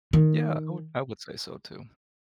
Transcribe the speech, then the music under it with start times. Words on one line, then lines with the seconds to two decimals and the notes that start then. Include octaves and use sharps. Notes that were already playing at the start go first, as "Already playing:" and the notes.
Yeah. I would I would say so too.
0.13 D#3